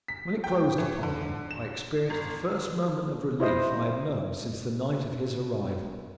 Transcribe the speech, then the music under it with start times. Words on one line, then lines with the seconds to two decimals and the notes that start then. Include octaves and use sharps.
When it closed upon him, I experienced the first moment of relief I had known since the night of his arrival.
0.08 B6
0.44 G5
0.78 E3
1.03 D3
1.51 E7
2.10 G1
3.40 E4 C5 D#5